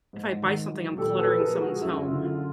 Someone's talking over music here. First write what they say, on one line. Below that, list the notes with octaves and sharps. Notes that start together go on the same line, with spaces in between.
if I buy something, I'm cluttering someone's home.
G#2
D#3
F#3
A#2 G4 A4
A4 B4
F3
G#4 A#4
G#3
F#4 G#4
F#2 E4
E4
F4
D3
F4